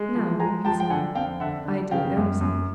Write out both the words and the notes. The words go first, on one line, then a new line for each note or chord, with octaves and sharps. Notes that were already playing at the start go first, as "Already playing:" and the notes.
"No," he said; "I didn't notice it."
Already playing: G#3
F3
G#3 G#5 A#5
F3 G5 A5
G5
D3 F#5 G#5
F2 F5 G5
D3 E5 F#5
D3
C#3 F5 G5
F#2
F#2